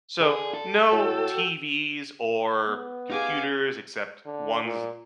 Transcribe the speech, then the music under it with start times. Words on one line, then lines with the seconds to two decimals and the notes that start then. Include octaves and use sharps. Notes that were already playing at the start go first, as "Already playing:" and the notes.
so no TVs or computers, except ones
0.21 D3 G#4
0.54 A4
0.92 A2 F#4 G5 E6
2.66 B3
3.10 D#4 G4 G#4 F5 G#5 D6 G#6
4.26 D3
4.65 A#2